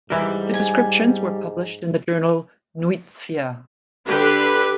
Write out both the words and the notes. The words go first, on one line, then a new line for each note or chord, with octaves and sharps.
The descriptions were published in the journal "Nuytsia".
G#2 E3 G3 A#4
G#5
D3 D4 G4 B4